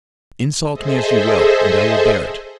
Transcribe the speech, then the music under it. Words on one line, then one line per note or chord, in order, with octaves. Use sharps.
Insult me as you will, and I will bear it.
G#4 A4 C5 D#5 E5